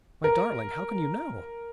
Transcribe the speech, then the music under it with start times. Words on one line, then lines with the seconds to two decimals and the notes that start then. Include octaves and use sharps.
"My darling, how can you know?"
0.24 A#4